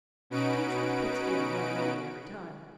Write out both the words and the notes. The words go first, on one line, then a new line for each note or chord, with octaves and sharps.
Dietrich puts in more money every time.
B2 C#4 D#4 F#4 B4 D7